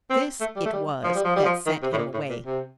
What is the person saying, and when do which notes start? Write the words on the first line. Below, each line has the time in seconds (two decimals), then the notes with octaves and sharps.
This it was that "sent him away."
0.10 C4
0.41 A3
0.56 G3
0.65 A3
0.73 G3
1.04 F3
1.15 G3
1.24 F3
1.36 G3
1.45 F3
1.66 D#3
1.82 C3
1.93 A2
1.98 A#2
2.14 A2
2.29 A#2
2.45 C3